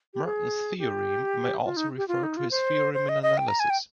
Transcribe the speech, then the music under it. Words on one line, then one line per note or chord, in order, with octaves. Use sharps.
"Mertens' theorem" may also refer to his theorem in analysis.
G4
G#4
G4
F4
D#4
G4
F4
D#4
F4
C5
C5
D#5
D#5
G5
A#5
G#5
G5